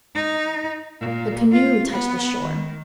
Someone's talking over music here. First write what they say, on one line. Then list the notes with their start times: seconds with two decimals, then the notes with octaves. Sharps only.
The canoe touched the shore.
0.14 D#4
1.00 A#2
1.51 F4
1.91 B3
2.39 D#3